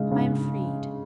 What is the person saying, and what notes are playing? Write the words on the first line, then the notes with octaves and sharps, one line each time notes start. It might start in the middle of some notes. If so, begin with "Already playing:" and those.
I am freed.
Already playing: C#3 G#3
C#3